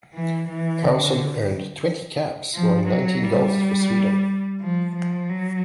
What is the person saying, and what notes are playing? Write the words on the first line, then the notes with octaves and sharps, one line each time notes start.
Carlsson earned twenty caps, scoring nineteen goals, for Sweden.
E3
E3
D3
F3
F#3
G3
F3
F3
F#3